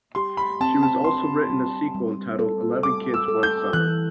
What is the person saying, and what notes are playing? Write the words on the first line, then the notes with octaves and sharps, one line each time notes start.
She has also written a sequel entitled "Eleven Kids, One Summer".
G4 C6
B5
C4 A5
A5
D4 C6
G3
G3
A4
G3 D6
E6
A4
G6
E3 F#6